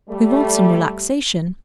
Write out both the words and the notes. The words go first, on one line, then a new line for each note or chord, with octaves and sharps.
"We want some relaxation."
G3 A3